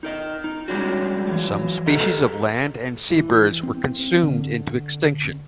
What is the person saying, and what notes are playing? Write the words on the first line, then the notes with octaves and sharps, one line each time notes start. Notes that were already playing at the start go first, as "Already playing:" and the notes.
Some species of land and sea birds were consumed into extinction.
D#4 A#4 D#5
D#4
G3 G#3 C#4 D4 F#4
E3 F#3
G4 A4 A#4 D#5
E3
C4
D3